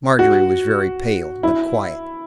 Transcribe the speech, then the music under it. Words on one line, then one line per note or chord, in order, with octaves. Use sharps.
Margery was very pale, but quiet.
F#4
E4